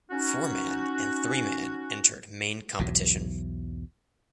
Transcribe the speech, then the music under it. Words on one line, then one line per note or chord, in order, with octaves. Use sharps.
Four man and three man entered main competition.
C#4 D#4 F#4
B1 E2 G#2 F#3